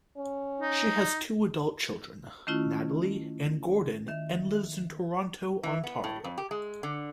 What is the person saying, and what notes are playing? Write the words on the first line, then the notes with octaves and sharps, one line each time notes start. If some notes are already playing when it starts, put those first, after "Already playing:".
She has two adult children, Natalie and Gordon and lives in Toronto, Ontario.
C#4
D#4
D#3 A3 C#4 E4 F4
D#3 E5
E3
B3
A2
F2
G4
G#3
D3